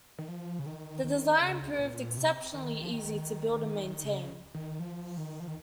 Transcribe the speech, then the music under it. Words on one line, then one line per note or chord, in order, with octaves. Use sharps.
The design proved exceptionally easy to build and maintain.
D#3
F3
C#3
D#3
D#3
C#3
A#2
C3
D#3
F3
D#3
C#3
D#3
F3
D#3
F3
D#3